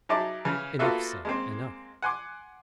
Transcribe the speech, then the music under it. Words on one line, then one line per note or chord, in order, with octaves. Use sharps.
Enough, sir, enough.
F#3 D#4 E4 G#4 A5 D6
C#3 E3
A#3 B3 F4 F#4 A4 E5
G#3 A#3 C4
F#5 G#5 C6 D6